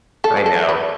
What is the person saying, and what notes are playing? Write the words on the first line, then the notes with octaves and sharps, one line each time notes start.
I know.
A4
G#4
A4
B4